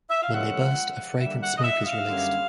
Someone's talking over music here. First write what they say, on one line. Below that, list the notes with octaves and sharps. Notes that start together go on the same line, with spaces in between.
When they burst a fragrant smoke is released.
E5
F5
A#2 F3 G#3 C#4 F#5
D3 G3 A#3 E5
F#5
D#5
E5
F5
F#2 D3 G3 A#3 C#4